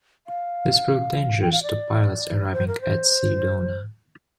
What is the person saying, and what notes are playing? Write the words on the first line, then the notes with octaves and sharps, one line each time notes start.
This proved dangerous to pilots arriving at Sedona.
F5
G5
F5
D5
C5
A#4
C5